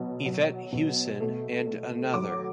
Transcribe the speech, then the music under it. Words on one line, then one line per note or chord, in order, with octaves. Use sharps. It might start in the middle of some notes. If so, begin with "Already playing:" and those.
Yvette Hewson and Another.
Already playing: B2 F#3
F#3
B2
A3
A3
F#3 D6